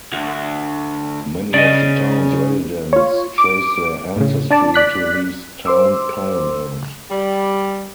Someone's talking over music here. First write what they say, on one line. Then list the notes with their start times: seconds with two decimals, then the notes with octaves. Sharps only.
Many of the towns residents trace their ancestry to these town pioneers.
0.13 D2
1.54 C#3 D5 D#5
2.93 F4 C#5
3.38 D6 D7
4.16 A2 C#3
4.51 D4 D5 A5
4.74 D5 F#6 B6
5.66 C5 C6 D6 E6
7.09 G3